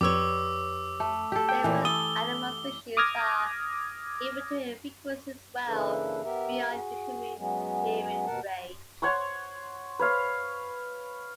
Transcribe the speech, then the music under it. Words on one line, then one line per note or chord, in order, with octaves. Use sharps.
Several animal species are able to hear frequencies well beyond the human hearing range.
F2 G4 B4 C#5 D5 D6 E6
A3
G4 A4
G5
A#2 D#3 E3
A4 D#6 G7
D6 D#6 F6 G#6 A#6
C#3 E3 A#3 D4 A4 B4
B3 G4 A#4 E5
F#4 G#4
F#3 G#3 B3 C#4
D#2 B2 A#4 F#5 A5
C#5 F#5 C6 C#6
B4 C#5 F5